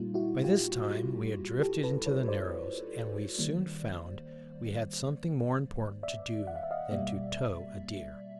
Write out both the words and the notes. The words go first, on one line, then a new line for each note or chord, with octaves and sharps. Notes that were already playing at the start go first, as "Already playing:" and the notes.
By this time we had drifted into the Narrows, and we soon found we had something more important to do than to tow a deer.
Already playing: A#2 G3 A#3 D#4 F4
E4 F#4
F4 G4
G4 A4
A4 B4
B4 C#5
C5 D5
D#3 G3 A#3
D5 E5
F#5
F5
E5
D#5 F5
B2 G3 A#3 D5 E5